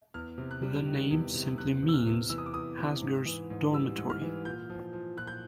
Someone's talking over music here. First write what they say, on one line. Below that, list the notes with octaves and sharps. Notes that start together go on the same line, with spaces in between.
The name simply means Hassager's dormitory.
E2 F6
C3
F#6
G3
D#3
E2
C3
E2 F#6
C3
E6
F6
E2
E3 E6
D#6
D6
E2 D#6
C3
G#2
E3
G#2
G3 E6
G#2
F6
E3
A#2 G6
F3
F3
A#2 F#6
G6